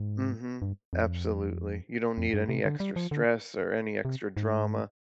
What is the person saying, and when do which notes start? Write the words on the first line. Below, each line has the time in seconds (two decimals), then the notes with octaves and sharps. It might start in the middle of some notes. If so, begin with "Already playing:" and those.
Mhm, absolutely, you don't need any extra stress or any extra drama
Already playing: G#2
0.62 G2
0.93 F2
2.18 F2
2.34 G2
2.49 C3
2.65 D3
2.80 G3
2.96 F3
3.11 D3
4.05 C3
4.37 G#2